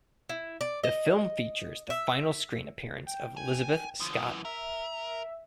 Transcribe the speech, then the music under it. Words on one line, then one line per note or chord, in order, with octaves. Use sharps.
The film features the final screen appearance of Lizabeth Scott.
E4
D5
D#5
E5
G5
G#5
D3 F3 D#6
F#2 E3
A#4 E5